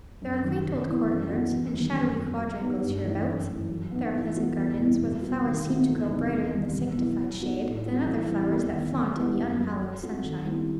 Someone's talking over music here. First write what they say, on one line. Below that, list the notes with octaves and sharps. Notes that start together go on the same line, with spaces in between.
There are quaint old courtyards, and shadowy quadrangles hereabouts; there are pleasant gardens, where the flowers seem to grow brighter in the sanctified shade than other flowers that flaunt in the unhallowed sunshine.
F#2
D#3 F#3
C3
E3 B3 E4
F#2
E3 B3 F#4
E2
D#3 G3
F#2
F#3
B3
F#3
B3 D#4 G4
G2
E3 A3 D#4
F#2
E3 A3
F#3
B3 D#4
E3
B3 F#4 A4
E2
B2 G3 C4 E4
B2
G3 B3 F#4
D#3
A3 C4 F#4
E2
C3 F#3 A3 D#4
E2
D#3 G3 C4
B2
F#3 B3 E4
F#3
B3 D#4 F#4 A4
A2
G3 C4 F#4 A4
E3
G3 C4 E4 G4
E2
D#3 A3
F#3
B3 E4 G4
F#2
F#3 A3
F#3
C4 F#4 A4
D#3
G3 C4 E4